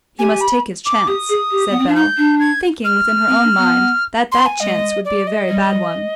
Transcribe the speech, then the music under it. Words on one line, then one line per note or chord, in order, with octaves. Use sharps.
"He must take his chance," said Bell, thinking within her own mind that that chance would be a very bad one.
G4 G#5
B5
D6
G4 D#6
G#4
G4
B3
C4
D4
D#4 G6
D4
G#6
F6
C4
D4
B3
C6
G#5
G#3 D#5
D5
D#5
G3